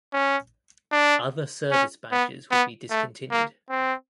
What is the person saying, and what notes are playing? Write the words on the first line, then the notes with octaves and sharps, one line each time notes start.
Other service badges would be discontinued.
C#4
D4
C#4
B3
B3
A3
A#3
C4